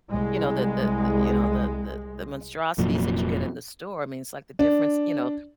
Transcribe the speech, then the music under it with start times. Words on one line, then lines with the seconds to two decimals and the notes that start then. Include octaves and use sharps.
you know, the the the you know, the the the monstrosities that you get in the store, I mean, it's like the difference you know,
0.10 C2 G#3
2.78 F1 F2 A#2 F#3
4.59 D4